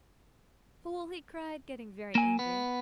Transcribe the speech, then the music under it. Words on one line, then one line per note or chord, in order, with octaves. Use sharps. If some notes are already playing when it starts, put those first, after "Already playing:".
'Fool!' he cried, getting very angry.
A#3 G#5
B3